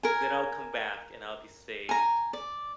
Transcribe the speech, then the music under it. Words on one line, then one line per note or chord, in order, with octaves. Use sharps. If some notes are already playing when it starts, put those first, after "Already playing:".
then I'll come back and I'll be saved.
A#4 G#5
G#5 A#5
D5